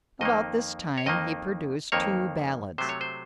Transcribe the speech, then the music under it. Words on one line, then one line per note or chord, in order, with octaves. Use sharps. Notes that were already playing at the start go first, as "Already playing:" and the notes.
About this time, he produced two ballads.
F2 D#3 A#3 D#5
C#5
F2 D#3 A#3 D#5
F2 D#3 A#3 C#5
C3 F#3 A3 C5
C#5
C5